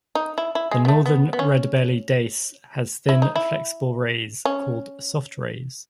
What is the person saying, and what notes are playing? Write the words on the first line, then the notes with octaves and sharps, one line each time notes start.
The Northern Redbelly Dace has thin, flexible rays called "soft-rays".
D#4
E4
E4
G#3
B3
A3
B3
B3
C#4
E4
D#4
E4
C#4